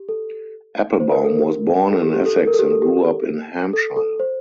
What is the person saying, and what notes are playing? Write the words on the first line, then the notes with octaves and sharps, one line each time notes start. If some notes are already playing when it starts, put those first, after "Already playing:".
Applebaum was born in Essex and grew up in Hampshire.
Already playing: G4
A4
C5
A#4
A4
A#4
A4
G4
G4
A4
A4
A#4
A4
G4
A4
G4
A4
A4
C5